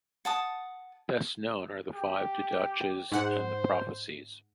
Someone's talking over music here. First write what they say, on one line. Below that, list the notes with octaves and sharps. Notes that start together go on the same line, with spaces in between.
Best known are the five "Didaches" and the "Prophecies".
F#5 A5 D#6
G4
G#2 C5 F#5